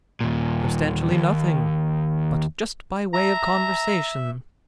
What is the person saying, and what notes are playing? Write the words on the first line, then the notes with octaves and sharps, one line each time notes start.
"Substantially nothing--but just by way of conversation."
D#2 A#2
D#2
E5 A#5